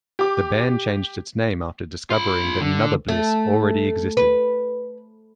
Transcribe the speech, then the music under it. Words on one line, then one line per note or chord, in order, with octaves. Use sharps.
The band changed its name after discovering that another "Blisse" already existed.
G4 D6
F4 B5
D3
A3
B4